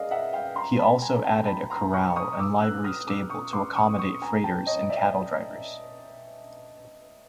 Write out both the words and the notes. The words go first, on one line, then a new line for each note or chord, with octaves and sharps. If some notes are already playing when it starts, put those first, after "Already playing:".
He also added a corral and livery stable to accommodate freighters and cattle drivers.
Already playing: G#4 A#4 D5 D#5 F5
E5 F#5
F5 G5
A#5 C6
A5 B5
G#5 A#5
G5 A5
A5 B5
A#5 C6
B5 C#6
C#6 D#6
D#6
D6 E6
E6 F#6
D#6 F6
D6 E6
C#6 D#6
C6 D6
C#6 D#6
C#6 D#6
G#5 A#5
G5 A5
C#5 D#5
D5 E5